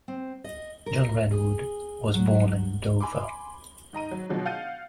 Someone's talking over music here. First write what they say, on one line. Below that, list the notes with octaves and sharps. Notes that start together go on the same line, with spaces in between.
John Redwood was born in Dover.
C4
D#5
A#4
G#4
F#3
G#5 B5 C6 D6
G#2 D#5 A#5 D#7
F#3
B2 F3 F#3 G#3 D4
F5 F#5 G6 A6 D#7